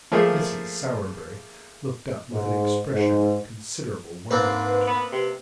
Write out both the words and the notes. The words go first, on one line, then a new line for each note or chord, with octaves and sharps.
Mrs. Sowerberry looked up with an expression of considerable wonderment.
F3 A3 A#3 G#4 E5
G#2
G#2
G#2 A#3 C4 D4 B4
B3
C3